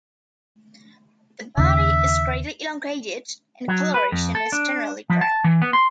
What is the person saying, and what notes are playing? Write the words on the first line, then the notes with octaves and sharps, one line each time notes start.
The body is greatly elongated, and coloration is generally drab.
D#2 C#3 E5
F#3
B4
F2
A4
D4
F3
A5
E3
B3
C6